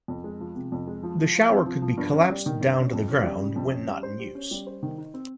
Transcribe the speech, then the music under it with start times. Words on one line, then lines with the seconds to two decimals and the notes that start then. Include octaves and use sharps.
The shower could be collapsed down to the ground when not in use.
0.08 F2
0.24 G#3
0.40 F3
0.55 C3
0.72 F2
0.87 G#3
1.03 F3
1.19 F3
1.35 F4
1.50 C4
1.66 F3
1.82 F3
1.97 G2
2.14 C#4
2.30 G3
2.46 D#3
2.61 G2
2.77 C#4
2.93 F2
3.09 C#4
3.24 G3
3.40 C#3
3.56 F2
3.72 C#4
3.88 G3
4.03 C5
4.19 G4
4.35 C#4
4.51 G3
4.67 C5
4.83 D#3
4.98 D#4
5.14 C4